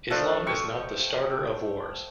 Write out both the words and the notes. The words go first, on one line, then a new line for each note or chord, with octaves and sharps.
Islam is not the starter of wars.
F3 A3 D4
G5 C#6